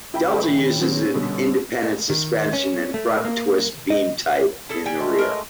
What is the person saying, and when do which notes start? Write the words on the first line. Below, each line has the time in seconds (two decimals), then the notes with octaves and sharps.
Delta uses an independent suspension in front and Twist beam type in the rear.
0.14 C#2 E4 G5 B5
0.46 C#2 A#2 D#3 C#4 G#4
0.80 F#3 B3 C4
1.14 B2 D3 G3
2.10 D#3
2.53 C#4
2.94 A3
3.25 A#3
3.90 D#5
4.69 E4 G#4 A4
4.86 G3 G5 G#5
4.99 G#3 A3
5.18 A#4 D#5